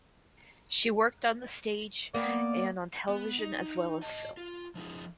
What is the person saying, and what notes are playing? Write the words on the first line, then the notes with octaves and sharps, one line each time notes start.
She worked on the stage and on television as well as film.
A#3 B3 D5
B3
D#4
D#5 A5
F4
F3 D4 E4 G#4